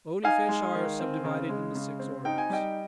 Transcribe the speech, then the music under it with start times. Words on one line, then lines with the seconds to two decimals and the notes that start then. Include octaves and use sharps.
Bony fish are subdivided into six orders.
0.24 D#4 F5 G#5
0.49 G#3
0.74 D#3
1.00 C4
1.25 C#3
1.49 G#3
1.75 C#3
1.99 C4
2.25 D#4 G5
2.38 G#5
2.50 G3 D#5 G5